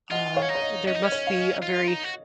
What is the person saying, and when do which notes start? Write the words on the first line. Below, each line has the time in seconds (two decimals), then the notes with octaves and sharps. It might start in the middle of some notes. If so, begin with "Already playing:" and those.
uh, there must be a very,
0.11 F4 D#5 F#5
0.37 C#5 F5
0.42 C#4
0.49 D#4
0.55 C#5
0.62 D#5
0.87 C#4 D#5
0.95 D#4
1.03 C#4
1.12 C#5
1.27 F5
1.37 D#5
1.62 F4
1.88 D#4
2.04 F#4